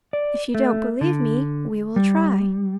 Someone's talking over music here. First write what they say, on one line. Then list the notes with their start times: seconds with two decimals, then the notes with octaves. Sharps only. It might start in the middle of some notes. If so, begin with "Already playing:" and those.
If you don't believe me, we will try.
0.13 D5
0.55 A3
1.01 D3
1.96 G3